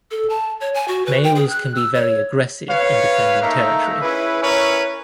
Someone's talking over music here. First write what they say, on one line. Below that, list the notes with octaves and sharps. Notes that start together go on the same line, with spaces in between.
Males can be very aggressive in defending territory.
A4
A5
C#5
G#5
F#4
B4
G5
G#4
F#6
E6
C#5
B4 C#5 F5
A3 A#3 D#4 A#4 E5 A#5
C#4 E4 G#4 B4
C#4 E4 A#4 B4 C#5